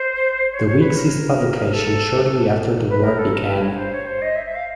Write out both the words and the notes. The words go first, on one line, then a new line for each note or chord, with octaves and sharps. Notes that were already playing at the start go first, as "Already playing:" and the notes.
"The Week" ceased publication shortly after the war began.
Already playing: C5
C#5
C#5
B4
A#4
A4
B4
A#4
A4
A#4
B4
C#5
C5
C#5
C5
D#5
E5
E5
F5